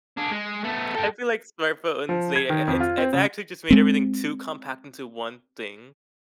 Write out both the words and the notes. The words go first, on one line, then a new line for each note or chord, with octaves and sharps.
I feel like smartphones, they, uh i it's it's actually just made everything too compact into one thing.
D4 G#4
G#3
A3 B3
A4 G5
F3
G#6
D#3
F2
F4
C4
C#3
G#3 C4